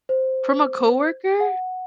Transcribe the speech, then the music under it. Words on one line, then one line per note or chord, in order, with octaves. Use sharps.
From a coworker?
C5
F#5